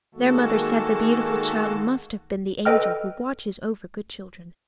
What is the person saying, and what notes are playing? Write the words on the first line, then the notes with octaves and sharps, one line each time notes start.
Their mother said the beautiful child must have been the angel who watches over good children.
D#3 G#3 A#3 F#4 A4
A4 B4 D#5 G5 F6